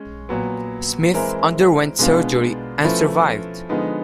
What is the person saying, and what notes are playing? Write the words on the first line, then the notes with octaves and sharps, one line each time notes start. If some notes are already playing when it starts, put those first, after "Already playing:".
Smith underwent surgery and survived.
Already playing: G#3 C#4
A#2 F#3 B3
E3 G#3 C4 E4 A#4
B2 G#3 B3 D4 F4
F3 A3 C#4 E4 B4
D3 F3 G#3 B3 D#4